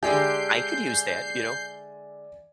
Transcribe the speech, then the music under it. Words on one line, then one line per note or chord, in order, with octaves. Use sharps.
"I could use that," you know.
D3 G#3 G4 D5 E5 G#5 G6 C7